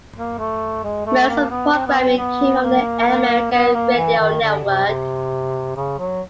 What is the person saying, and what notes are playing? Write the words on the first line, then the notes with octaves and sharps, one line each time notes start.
Most of the programming came from the Air America Radio Network.
A#3
A3
G#3
A3
A3
A#3
B3
C4
B3
C4
B3
A#3
A#3
B3
A#3
E3
D#3
D3
C3
C3
C#3
F#3